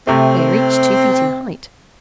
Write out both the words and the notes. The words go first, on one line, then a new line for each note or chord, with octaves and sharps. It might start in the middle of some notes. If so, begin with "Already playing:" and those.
They are each two feet in height.
C3 A3 C4